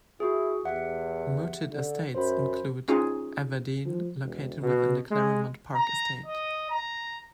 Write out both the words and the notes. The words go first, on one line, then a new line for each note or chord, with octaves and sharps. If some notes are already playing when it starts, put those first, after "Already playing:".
Mooted estates include "Evadene", located within the Claremont Park estate.
E4 F#4 G#4
E2 G4 E5 F#5
D3
F#2 C5 B5
C#4 D#4 F4 G#4
F3
E1
B2
G#3
A#5
D#5
A#5